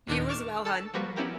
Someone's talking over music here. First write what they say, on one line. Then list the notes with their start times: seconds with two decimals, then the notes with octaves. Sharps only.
You as well, hon.
0.07 D#2 A#2 D#3 D4 A#4 G6
0.29 C#6 D6 F6 E7
0.65 A4 A5
0.94 F3 G3 A#3 F#4 B4
1.16 B3 C#4 E4 G4 A#4